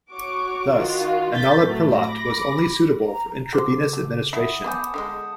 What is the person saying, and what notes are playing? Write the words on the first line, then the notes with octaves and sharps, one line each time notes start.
Thus, enalaprilat was only suitable for intravenous administration.
F#4 C#5 C#6 D6
D#3 F4 F#4
G6 A6 B6
A2 C3 F#3 A3
B5 D6 A#6
A#5
C#3 F#3 A4 C5 D6
A3
E4 F#5 A5 D#6
B3 D#5 G#5 B5 D6 G6
D3 F#3 G#3